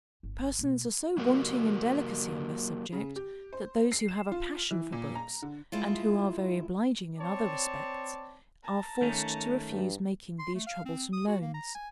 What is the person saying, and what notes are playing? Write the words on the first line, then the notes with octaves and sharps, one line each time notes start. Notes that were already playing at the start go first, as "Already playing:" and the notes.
Persons are so wanting in delicacy on this subject, that those who have a passion for books, and who are very obliging in other respects, are forced to refuse making these troublesome loans.
G1
B2 A#3
F#3 A#3 F#4 G4 A#4
C#3
G4
C5
C7
E7
F4
E3
A#2
A#5
D3
G2 G#3 E4 F4
C4 C#5 D5 A5
A5 A#5
D#3 A3 C#4
G2
C6
A3
F5
C4
D#6
F#4
A#3
A#5
G#5